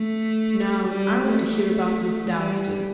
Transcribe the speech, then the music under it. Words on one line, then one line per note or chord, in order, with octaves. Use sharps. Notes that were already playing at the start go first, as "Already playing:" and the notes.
Now I want to hear about Miss Dalstan.
Already playing: A3
G3
A3
G3